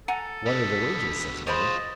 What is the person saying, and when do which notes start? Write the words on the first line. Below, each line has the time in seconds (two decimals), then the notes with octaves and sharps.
"What are the wages?" says Billy.
0.08 A4 F#5 G#5 A#5
0.46 B2 D3 B6
1.47 G#3 F4 C5 C#5 D#5 B5 A6